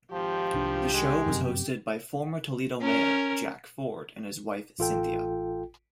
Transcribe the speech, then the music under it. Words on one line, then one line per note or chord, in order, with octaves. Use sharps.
The show was hosted by former Toledo mayor Jack Ford and his wife Cynthia.
G#1 F3 G4
C2 D4
D#3 G#3
G1 F#2 C3
C#4 A#4
A1 F4 A4 G5